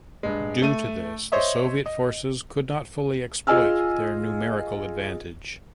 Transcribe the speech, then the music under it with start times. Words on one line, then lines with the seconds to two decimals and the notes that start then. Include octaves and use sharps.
Due to this, the Soviet forces could not fully exploit their numerical advantage.
0.23 G2 G#3
0.62 A3 D#7
1.32 C5 C#5 D#5 E5
1.86 D#5
3.47 F4 G#4 D#5 G#5 E6 F6